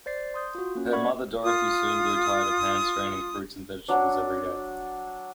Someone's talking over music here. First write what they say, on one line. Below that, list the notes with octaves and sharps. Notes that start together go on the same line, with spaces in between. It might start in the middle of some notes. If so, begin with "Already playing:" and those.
Her mother Dorothy soon grew tired of hand-straining fruits and vegetables every day.
C5 D5 A6 C7
C6 D#6 G6
F4 F#4
A#3 C#4
D5 E5 F#5 B5 C#6 G#6
F4 D#6
F#3 D4